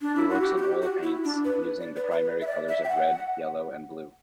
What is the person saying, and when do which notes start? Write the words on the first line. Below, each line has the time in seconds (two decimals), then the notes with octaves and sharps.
He works in oil paints, using the primary colors of red, yellow, and blue.
0.01 D4
0.16 E4
0.29 F#4
0.41 G4
0.58 F#4
0.62 G4
0.82 F#4
1.03 E4
1.24 D4
1.45 B4
1.80 D5
1.96 B4
2.11 B4
2.41 E5
2.47 D5
2.69 E5
2.84 G5
2.89 F#5